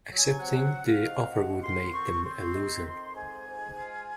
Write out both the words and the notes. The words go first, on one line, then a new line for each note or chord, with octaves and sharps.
Accepting the offer would make them a loser.
F#3
G#5
C4 F#5
C4
F5
D#3
F2 F#5
D#3 C6
C4 C#6
C4 C6
D#3
F2
G#2 G#5
G#2
F4